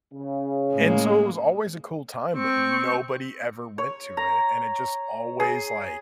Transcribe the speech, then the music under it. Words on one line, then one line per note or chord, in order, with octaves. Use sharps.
And so it was always a cool time, but nobody ever went to it. And it just always, like,
C#3
A2 G#3 A#3
C4 C#6
C#5
A#5
G#4